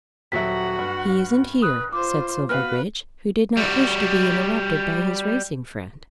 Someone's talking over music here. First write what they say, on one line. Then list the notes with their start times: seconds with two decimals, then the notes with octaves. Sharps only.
"He isn't here," said Silverbridge, who did not wish to be interrupted by his racing friend.
0.32 D#1 F#3 F#4 E5 F#5 B6
0.79 G2
1.62 B4 D#6 F#6
1.93 F4 C5 D6
2.49 B3 F#4 B4 F5 F6
3.57 G3 F#4